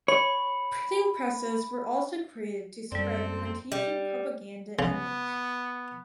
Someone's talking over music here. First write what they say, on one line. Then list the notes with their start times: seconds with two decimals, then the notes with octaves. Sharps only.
Printing presses were also created to spread partisan propaganda and news.
0.08 C#5 B5
2.92 F#2 G3 A#3 C4 A4 D5
3.72 G3
4.79 C#3 B3